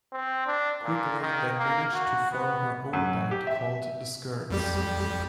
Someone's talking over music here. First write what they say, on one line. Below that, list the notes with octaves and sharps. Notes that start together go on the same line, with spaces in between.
Quigley then managed to form her own band called The Skirts.
C4
D4
A#2
D#3
A#3
F#4
B3
F#2
G4
E5
F2 G3 G4